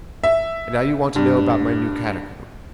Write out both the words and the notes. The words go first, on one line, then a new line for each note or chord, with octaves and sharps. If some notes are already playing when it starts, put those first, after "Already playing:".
And now you want to know about my new catacomb.
E5
G2